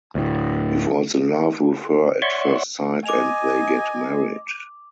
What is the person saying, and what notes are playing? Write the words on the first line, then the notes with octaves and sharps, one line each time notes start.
He falls in love with her at first sight and they get married.
D2 A2
C#5 D5 E5 F#5 C6 C#6
D#5 G#5 D6 F7